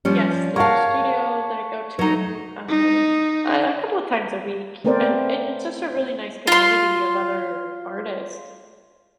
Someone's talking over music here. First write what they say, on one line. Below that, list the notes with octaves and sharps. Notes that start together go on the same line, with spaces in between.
yes, there's a studio that I go to, um, a couple of times a week, and and it's just a really nice community of other artists.
F3 G3 C#4
A#4 C#5 F5 F#5 A5
F#3 D#4
D#4
A3 B3 C4 A#4 C5 D5
F4 C6